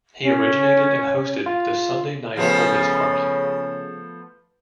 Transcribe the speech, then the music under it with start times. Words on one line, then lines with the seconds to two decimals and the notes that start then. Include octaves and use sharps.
He originated and hosted "The Sunday Night Oldies Party".
0.21 C#4
1.46 F4
2.37 C#3 F3 A3 B3